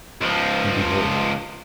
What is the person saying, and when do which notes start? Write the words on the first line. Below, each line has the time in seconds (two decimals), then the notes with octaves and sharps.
And behold!
0.21 C#2 F3